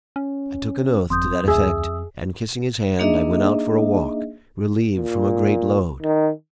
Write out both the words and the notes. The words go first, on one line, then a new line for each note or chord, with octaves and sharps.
I took an oath to that effect, and kissing his hand, I went out for a walk, relieved from a great load.
C#4
G1 F2 C6 D#6 G6
D2 G#4 E5 D#6 E6
A#3 D4 D#4 G#4 D#5 E5
A#2
D#3